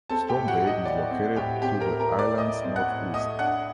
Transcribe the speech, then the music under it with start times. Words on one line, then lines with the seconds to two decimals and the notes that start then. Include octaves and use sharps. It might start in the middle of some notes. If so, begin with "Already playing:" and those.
Storm Bay is located to the island's northeast.
0.10 C4 A4 A5
0.29 G4 G5
0.35 A2
0.48 F#4 F#5
0.61 F#3
0.67 D#5
0.85 A2 D5
1.11 C4
1.36 A2 G4 G5
1.62 C4 G4 G5
1.81 A#4 A#5
1.87 A2
2.00 A#4 A#5
2.13 A3
2.19 D5 D6
2.38 A2 D#5 D#6
2.64 C4
2.76 F#5 F#6
2.89 A2
3.14 A3 D#5 D#6
3.39 D4 F#5 F#6